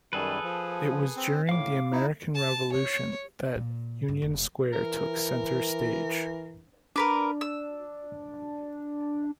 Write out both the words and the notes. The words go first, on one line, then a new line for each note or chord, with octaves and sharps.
It was during the American Revolution that Union Square took center stage.
F#2 D#3 G3 G#4 A4 B4
F3
C4
A2 F5 D6
D#4 E4
A5
C#5
A#2
G2
F1
E3 A#4
D4 A#4 B4 D6
E6